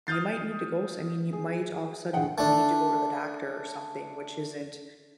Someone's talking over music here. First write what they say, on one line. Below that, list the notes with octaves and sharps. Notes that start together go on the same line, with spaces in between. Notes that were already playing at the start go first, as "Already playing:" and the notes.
you might need to go s I mean, you might all of a sudden need to go to the doctor or something, which isn't,
D#6 F6 G6 A6 C7
G#4
A#1 D3 G#4 F#5 G5
A3 D4